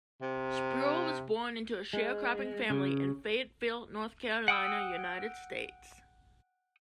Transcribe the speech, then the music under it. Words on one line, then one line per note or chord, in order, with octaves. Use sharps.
Spruill was born into a sharecropping family in Fayetteville, North Carolina, United States.
C3
G#3
C#3
F#5 G5 D#6 E6